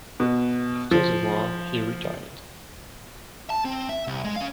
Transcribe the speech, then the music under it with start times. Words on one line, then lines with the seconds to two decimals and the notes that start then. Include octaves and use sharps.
After the war he retired.
0.20 B2
0.91 F3
3.50 A5
3.65 C4
3.89 E5
4.07 C2
4.24 G#3
4.36 C#4 F5